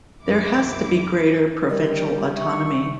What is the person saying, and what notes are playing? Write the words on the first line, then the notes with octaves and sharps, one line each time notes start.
There has to be greater provincial autonomy.
C2 F#2 D3 D#3 E4 D6
G3 A#4 D5 D#5
E5 C#6